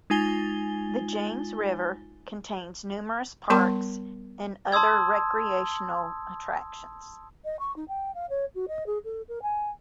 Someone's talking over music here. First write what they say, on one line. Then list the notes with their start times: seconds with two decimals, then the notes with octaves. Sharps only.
The James River contains numerous parks and other recreational attractions.
0.10 G#3 D#4 F4 G#5 A6 G7
3.50 G3 B3 A#4 A5 C6 C#6
4.72 A5 C6 D#6 E6 G#6
7.45 D#5
7.60 C#6
7.76 D#4
7.88 G5
8.15 F5
8.30 C#5
8.55 F#4
8.68 D#5
8.87 G#4
9.05 A4
9.29 A#4
9.42 G#5